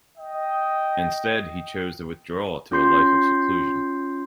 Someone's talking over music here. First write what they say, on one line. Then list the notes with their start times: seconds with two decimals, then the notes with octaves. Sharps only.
Instead, he chose to withdraw to a life of seclusion.
0.18 D#5 G5
2.72 C#4 F4 C6 G6 C7